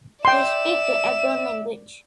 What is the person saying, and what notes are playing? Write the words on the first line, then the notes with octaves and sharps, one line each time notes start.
They speak the Abron language.
D5 E5 G5 C6 E7